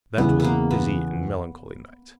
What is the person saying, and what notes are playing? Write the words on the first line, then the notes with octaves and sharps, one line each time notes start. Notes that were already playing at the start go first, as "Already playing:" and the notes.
That was a busy and melancholy night.
E2 C#3 E3 B3
A#3 B3
B3